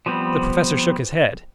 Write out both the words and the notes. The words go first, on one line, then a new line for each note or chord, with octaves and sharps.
The Professor shook his head.
F3 G3 B3 C4